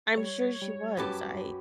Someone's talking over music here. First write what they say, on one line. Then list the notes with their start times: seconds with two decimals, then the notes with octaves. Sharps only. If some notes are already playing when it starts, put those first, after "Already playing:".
I'm sure she was. I
0.17 G3 C#5
0.62 G3
0.97 F#2 F#3 G4 B4 A5 B5